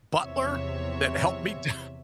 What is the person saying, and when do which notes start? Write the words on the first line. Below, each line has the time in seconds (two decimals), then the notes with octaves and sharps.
butler that helped me down
0.21 E2 C3 F3 C#5 E5